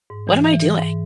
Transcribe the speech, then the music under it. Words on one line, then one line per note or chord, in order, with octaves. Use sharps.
what am I doing?
G#2
E3
E3
E3
G#2